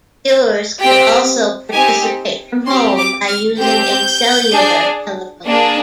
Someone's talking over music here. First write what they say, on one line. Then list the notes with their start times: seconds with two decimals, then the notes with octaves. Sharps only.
Viewers could also participate from home, by using a cellular telephone.
0.80 C4 G4 G5
1.73 C4 D#4 G4 G#5
2.66 C4 G4 C6
2.97 D6
3.28 F6
3.59 C4 G4 G6
4.52 D4 G#4
5.45 A#3 D4 G#4